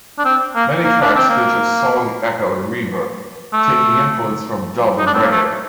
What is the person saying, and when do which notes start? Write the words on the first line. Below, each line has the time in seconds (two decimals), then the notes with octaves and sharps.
Many tracks feature strong echo and reverb, taking influence from dub and reggae.
0.18 D4
0.25 C4
0.55 A#3
0.84 A#3
1.01 D4
1.15 C4
1.29 A#3
3.53 A3
4.98 D#4
5.06 D4
5.14 C4
5.23 A#3
5.32 A3